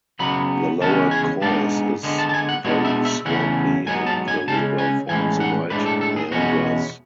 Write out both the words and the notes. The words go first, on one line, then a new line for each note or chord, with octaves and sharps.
The lower course is very swampy and the river forms wide meanders.
C#3 F#3 B3 B5
E2 C#3 G#3 C#4 A5
G#5
G#2 G#3 B3 D4 A5
D3 G#3 B3
A5
A5
G#5
F#5
B2 G#3 B3 D4 C#5
E5
E5
E2 C#3 E3 A3 C#4 F#5
G#2 F#3 B3 G#5
A5
G#5
C#3 G#3 C#4 A5
G#5
A2 E3 G#3 C#4 G#5
F#5
A2 G#3 D4 B4
A4
A4
G#4
E2 B2 G#3 C#4 F#4